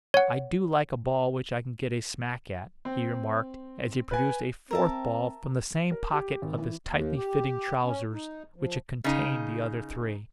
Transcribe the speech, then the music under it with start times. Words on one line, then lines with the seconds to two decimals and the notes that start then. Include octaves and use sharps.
"I do like a ball which I can get a smack at," he remarked as he produced a fourth ball from the same pocket of his tightly-fitting trousers which had contained the other three.
0.14 C#5 F#5
2.85 C4
4.11 B4 G#5
4.71 C4 A#4 E5 A5
5.92 A#4
6.13 G4
6.42 G#1
6.58 E3
6.86 D#2
7.17 G4
7.85 C#4
8.13 D#4
8.56 F3
9.04 C#3 D#4